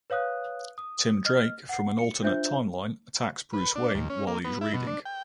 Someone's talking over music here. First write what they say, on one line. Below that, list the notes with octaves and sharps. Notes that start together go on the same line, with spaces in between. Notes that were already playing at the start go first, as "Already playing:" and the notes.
Tim Drake from an alternate timeline attacks Bruce Wayne while he is reading.
B4 C#5 F5 D#6 F#6
D#6
D#5 F6
F#5 C7
C#7
D4 F4 C5 E5 G6
B4
D4
D#2
C#4
A#3
B3
E4
B2
D4
G5